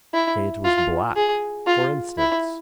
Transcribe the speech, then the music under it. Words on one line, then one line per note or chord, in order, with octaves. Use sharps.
Say it was black, for instance.
E4
F4
G#4
F4
E4